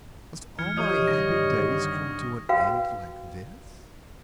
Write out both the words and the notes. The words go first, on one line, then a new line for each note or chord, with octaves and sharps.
"Must all my happy days come to an end like this?"
E2 E3 F6 G#6 C#7
F3 G4 C#5 D#5 C#6 D#6 G#6
G2 D3 D#3 A#6
F#4 B4 F5 G5